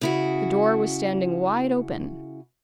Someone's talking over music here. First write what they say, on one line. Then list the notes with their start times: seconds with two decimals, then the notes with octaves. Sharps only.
The door was standing wide open.
0.01 C#3 E4 F#4